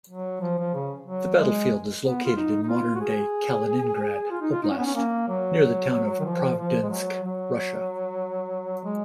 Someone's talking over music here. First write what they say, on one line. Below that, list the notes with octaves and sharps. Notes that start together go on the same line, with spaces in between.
The battlefield is located in modern-day Kaliningrad Oblast, near the town of Pravdinsk, Russia.
F#3
F3
F3
C#3
F#3
G#3
B3
F4
D#4
D#4
F4
F#4
G#4
F4
D#4
F4
D#4
C#4
B3
C#4
A#3
F#3
D#3
F3
F3
G#3
F#3
F#3
G#3